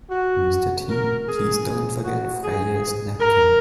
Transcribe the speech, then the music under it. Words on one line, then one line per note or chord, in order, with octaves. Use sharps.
Mr T. - please don't forget Freya's napkin.
F#4
A#4
G#4
F#4
G#4
A#4